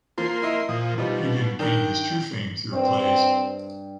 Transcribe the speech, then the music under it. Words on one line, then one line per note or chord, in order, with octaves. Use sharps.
He didn’t gain his true fame through plays.
F3 A#3 C6
E4 D#5 E5
A#2 F3 D#6
B2 F3 G3 D#4
D#3 D4 A#4 G5
G2 C4